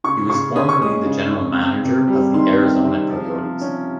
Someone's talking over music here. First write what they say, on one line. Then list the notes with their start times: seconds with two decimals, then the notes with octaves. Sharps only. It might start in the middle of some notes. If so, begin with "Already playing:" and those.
He was formerly the General Manager of the Arizona Coyotes.
0.04 C#3 C#6
0.30 C#3 C#6
0.56 C#4 D#6
0.69 C#6
0.81 G#3 D#6
1.06 C#3
1.32 C#3
1.57 C4
1.83 C3
2.08 G3
2.34 D#3 C6
2.59 C4
2.84 C3
3.10 F3
3.35 F3
3.61 C#4